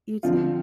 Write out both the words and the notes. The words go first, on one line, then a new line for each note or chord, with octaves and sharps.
You, too.
D3 F3 C4 F4